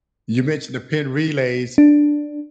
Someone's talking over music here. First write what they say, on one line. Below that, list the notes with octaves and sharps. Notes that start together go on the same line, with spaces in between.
You mentioned the pin relays.
D4